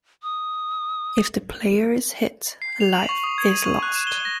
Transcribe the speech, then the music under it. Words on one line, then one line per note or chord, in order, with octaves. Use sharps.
If the player is hit, a life is lost.
D#6
C7
F7
F#7
C#6
D#6
G#6
D#7
C#6
F#6
E7
G7
A#6